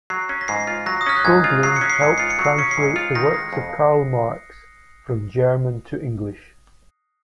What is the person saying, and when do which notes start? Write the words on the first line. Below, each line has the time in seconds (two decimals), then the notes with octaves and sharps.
Skoglund helped translate the works of Karl Marx from German to English.
0.10 F#3 C7
0.29 C#4
0.41 A#6
0.48 G#2 C7
0.67 F4
0.86 F#3 A#6
1.01 D#6
1.06 C#4 F6
1.16 F#6
1.25 G#2 G#6
1.44 F4
1.63 F#3 C7
1.76 C#7
1.81 C#4
1.90 C7
2.01 G#2 C#7
2.18 F4 C7
2.30 C#7
2.39 F#3
2.45 C7
2.58 C#4 C#7
2.71 C7
2.77 G#2
2.96 F4
3.15 D#3 A#6
3.34 G#3
3.53 F2